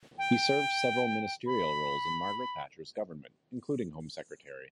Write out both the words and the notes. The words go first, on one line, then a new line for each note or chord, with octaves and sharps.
He served several ministerial roles in Margaret Thatcher's government, including Home Secretary.
G5
B5